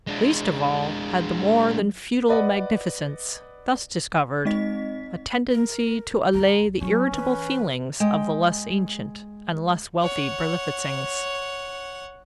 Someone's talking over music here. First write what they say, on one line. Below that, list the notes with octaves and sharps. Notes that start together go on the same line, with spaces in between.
Least of all had the more than feudal magnificence, thus discovered, a tendency to allay the irritable feelings of the less ancient and less wealthy Berlifitzings.
G#3 D4
B4 D5 D#5 F#5
G#3 C4 D#4 D#5 B6
A#4
D2 A#5
F#3 C#4 C#6
E3 B4
G#3 G5
C#5 F#5